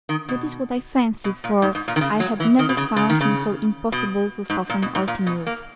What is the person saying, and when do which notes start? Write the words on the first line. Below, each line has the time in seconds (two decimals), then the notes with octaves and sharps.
That is what I fancy, for I had never found him so impossible to soften or to move.
0.09 D#3
0.29 B2
1.24 B2
1.44 A#2
1.62 G#2
1.75 G#2
1.88 A#2
1.96 D#3
2.01 C#3
2.20 F#3
2.40 E3
2.59 D#3
2.69 B2
2.77 C#3
2.96 C#3
3.10 D#3
3.21 C#3
3.92 B2
4.50 G#2
4.70 A#2
4.82 B2
4.95 G#2
5.07 A#2
5.27 B2
5.47 A#3